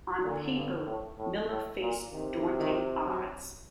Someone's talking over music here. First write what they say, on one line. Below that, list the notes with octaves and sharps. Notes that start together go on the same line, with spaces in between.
On paper, Miller faced daunting odds.
A#2 D3
G2
A2
A2
A2
A#2
C3 D#3
D#3
F#3